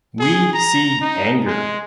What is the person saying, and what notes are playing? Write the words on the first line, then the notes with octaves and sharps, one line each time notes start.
We see anger.
G#4
A#5
D#4
G#3